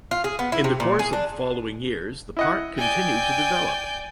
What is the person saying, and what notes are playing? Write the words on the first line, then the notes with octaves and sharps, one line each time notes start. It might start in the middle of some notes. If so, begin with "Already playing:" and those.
In the course of the following years the park continued to develop.
F4
G#4
B3
E4
C3
A#2
G#4
D4
E4 D#5 F#5
D5 G5 G#5 G6